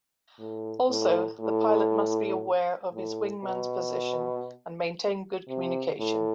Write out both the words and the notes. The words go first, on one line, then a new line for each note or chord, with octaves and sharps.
Also, the pilot must be aware of his wingman's position, and maintain good communication.
A2
A2
A2
A2
B2
C3
A2